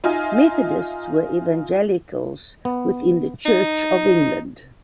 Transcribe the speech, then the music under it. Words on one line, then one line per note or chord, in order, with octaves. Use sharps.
Methodists were evangelicals within the Church of England.
D#4 F4 D#5 E5 G#5
B3
D#4